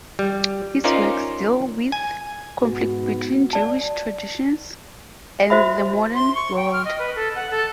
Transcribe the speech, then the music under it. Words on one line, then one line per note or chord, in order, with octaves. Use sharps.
His works deal with conflict between Jewish traditions and the modern world.
G3
C#4 D#4 F4 A#4 C5 D5
G#5
G#2 B2 B3 F#4
D5 A5
F#4 C5 E5 B5
C6
C#6
G5
F6
D#5
B4
A4
F#5
A4